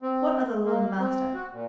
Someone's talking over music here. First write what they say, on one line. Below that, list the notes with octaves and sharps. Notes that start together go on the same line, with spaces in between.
What other lord and master?
C4
A#3
C4
F#4
A#2